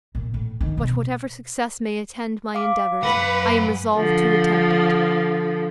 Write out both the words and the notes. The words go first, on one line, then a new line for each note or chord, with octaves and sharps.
But whatever success may attend my endeavours, I am resolved to attempt it.
A#2
A2
D#3
B2
F5 D6
F#2 B4 F#5
D3 F3